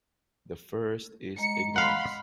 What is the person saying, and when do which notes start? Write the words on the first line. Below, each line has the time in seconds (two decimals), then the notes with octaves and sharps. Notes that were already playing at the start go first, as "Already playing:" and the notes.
The first is ignorance.
1.38 G#3 D#5 A#5 C#7
1.76 F5 F#5 B5 C6